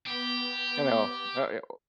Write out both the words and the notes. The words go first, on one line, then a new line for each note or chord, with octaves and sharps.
you know, uh yeah, well
B3 G4